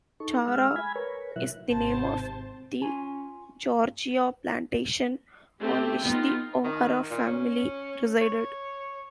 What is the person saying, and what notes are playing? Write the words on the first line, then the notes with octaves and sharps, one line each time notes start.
Tara is the name of the Georgia plantation on which the O'Hara family resided.
D#4 A4 C#6
G#3 F5 E6 F6
G#5 B5 G#6
A#4 B4 C#5
B2 F#3 E4 E5 F#6
G#1 C3 C5 A5
C#4 F4 G#5
A3 C4 G4 G5
B3 D#4 F4
D#3
A#2
C#4
C#5